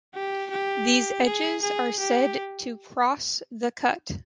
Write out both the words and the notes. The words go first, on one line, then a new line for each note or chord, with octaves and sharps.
These edges are said to cross the cut.
G4
G4
G#4
G#4
G4